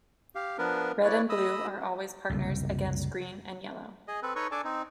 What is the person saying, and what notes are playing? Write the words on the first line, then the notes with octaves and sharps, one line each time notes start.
Red and blue are always partners against green and yellow.
G4 F5
F3 B3 D4 A#4 B4
A#3 E4 B4 C#5 D5
D#5 B5 D#6 E6
F#1 C2
G#4 D#5
C4 A4 B4
D#4 A4 B4 C#5 D#5 C#6
D4 A4 D5 G#5 A5
C4 D#4